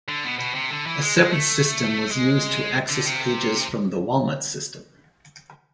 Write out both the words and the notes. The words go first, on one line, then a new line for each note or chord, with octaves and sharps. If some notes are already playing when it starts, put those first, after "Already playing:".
A separate system was used to access pages from the Walnut system.
D3
B2
B2
C3
D3
E3
G#3
G#3
A3
G#3
D3
C3